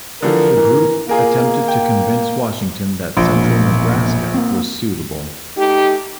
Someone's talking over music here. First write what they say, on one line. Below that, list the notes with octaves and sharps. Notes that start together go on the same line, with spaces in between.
The group attempted to convince Washington that central Nebraska was suitable.
D3 E3 F3 A#4
E3
A#3 F4 G#4 A#4
G5
E1 A#1 A#2
A#3 C4
A3 D#4 G4